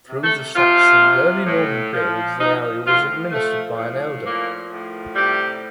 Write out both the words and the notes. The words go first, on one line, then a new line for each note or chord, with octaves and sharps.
Through the Saxon and early Norman periods the area was administered by an elder.
C3
A3 A4
C3 F3 F4
C3
A2
F3
D#3 F3 D#4
A2 F3 F4
F3 A3
A2
A#2 F3 A#3
A2
C3 G3 G4